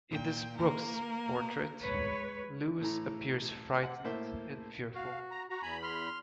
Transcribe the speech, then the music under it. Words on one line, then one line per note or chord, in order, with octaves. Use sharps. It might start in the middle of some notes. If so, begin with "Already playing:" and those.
In this Brooks' portrait, Lewis appears frightened and fearful.
A#2 G5
A#3 A#4
G#3 B4 C#5
A2 E3 A4 A#5
F#5
A2 A#3 C5 E5 A5
F#4 F5
A#5
F#4 A#5
E2 G#5 A#5 B5
C6 F6